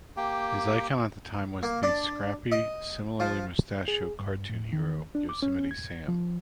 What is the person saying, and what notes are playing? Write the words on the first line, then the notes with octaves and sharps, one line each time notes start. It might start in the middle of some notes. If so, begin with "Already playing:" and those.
His icon at the time was the scrappy, similarly-mustachioed cartoon hero, Yosemite Sam.
A#3 G4 G5
A#3
D4
D#5
F3
G#4
G2
A2
D#3
D4
D6
C#4
G#6
F3